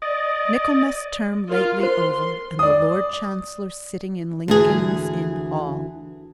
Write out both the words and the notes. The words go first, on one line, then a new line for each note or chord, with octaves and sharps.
Michaelmas term lately over, and the Lord Chancellor sitting in Lincoln's Inn Hall.
D5 D#5
F4 A#4
C5 C6
D5 D#6
D2 E3 G#4